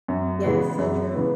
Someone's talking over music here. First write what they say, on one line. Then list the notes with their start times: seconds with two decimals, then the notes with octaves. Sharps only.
Yeah, so true.
0.08 F#2
0.44 C#3 E3 G#3 B3
0.78 F#2
1.14 C#3 E3 G#3 B3